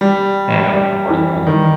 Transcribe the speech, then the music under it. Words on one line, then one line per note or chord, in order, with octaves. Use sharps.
and portable.
G3
G3
E3
D#3